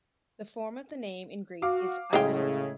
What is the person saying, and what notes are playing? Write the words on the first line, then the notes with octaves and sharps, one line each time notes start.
The form of the name in Greek is "Iolanthe".
F#4 F5 D6
A2 C#3 G#3 E4 G#4 F5 G5